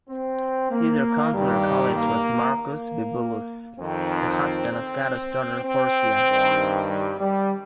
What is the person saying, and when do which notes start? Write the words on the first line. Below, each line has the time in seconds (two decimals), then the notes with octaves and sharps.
Caesar's consular colleague was Marcus Bibulus, the husband of Cato's daughter Porcia.
0.09 C4
0.71 A#3
1.32 G2 D#3 G3
1.95 A#3
2.56 A#3
3.79 F2 D#3 C4
5.64 C4
6.26 G2 D#3
6.88 G3
7.19 G3